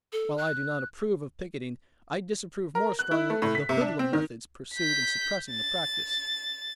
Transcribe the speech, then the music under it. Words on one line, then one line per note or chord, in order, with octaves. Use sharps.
While I do not approve of picketing, I disapprove more strongly of the hoodlum methods pursued in suppressing the practice.
A4
F#6
A#4
F#6
E4
A3
A2
B6
C3
D4
C4
D#3
G6 B6
A6